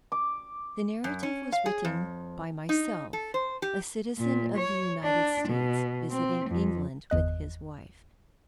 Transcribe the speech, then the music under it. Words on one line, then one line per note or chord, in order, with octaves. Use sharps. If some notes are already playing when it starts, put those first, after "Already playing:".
The narrative was written by myself--a citizen of the United States, visiting England with his wife.
D6
F#2
C#4
F5
G#4
F2
D#4
A4
C5
G4
A#2
C#5
D4
B2
C4
F2
G1 E2 D#5 F#6